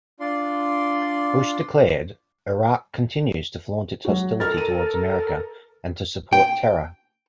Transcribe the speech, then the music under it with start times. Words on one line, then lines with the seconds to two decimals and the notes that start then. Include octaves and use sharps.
Bush declared, Iraq continues to flaunt its hostility toward America and to support terror.
0.20 D4 F4 D5 C6
4.05 F#3 F#4
4.40 A4 A#4 F6 A6
4.58 D#7
6.33 G5